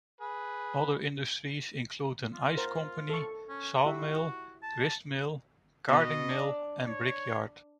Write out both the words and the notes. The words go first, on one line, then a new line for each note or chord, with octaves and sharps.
Other industries included an ice company, sawmill, gristmill, carding mill and brickyard.
G#4 B4
F4
A#4 C5
A4 C#6
C#4
E4 F#4 G4 E5
A5
B2 B3 D#5
D4
C#5